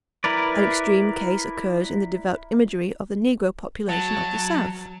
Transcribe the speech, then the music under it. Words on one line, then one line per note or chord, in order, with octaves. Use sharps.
An extreme case occurs in the devout imagery of the Negro population of the South.
E4 A#4 B4 D5
F#3 A5